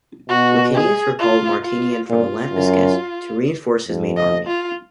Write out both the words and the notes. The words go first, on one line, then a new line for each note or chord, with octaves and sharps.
Licinius recalled Martinian from Lampsacus to reinforce his main army.
B2 F#4
G#4
F4
F4
A#2 F4
F#2
F2
D#5
F4